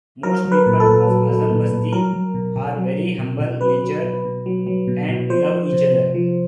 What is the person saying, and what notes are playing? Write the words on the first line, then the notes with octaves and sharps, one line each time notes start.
Mostly People of Azam Basti are very humble Nature and love each other.
F#3 A#4
F#3
B4
A#2
A4
A#2
F#3
F#3
A#2
A#2
F#3 A#4
F#3
B2
B2
F#3
F#3
B2
B2
F#3 B4
F#3
B2
B2
F#3
F#3
B2
B2
F3 C5
F3
C3
C3
F3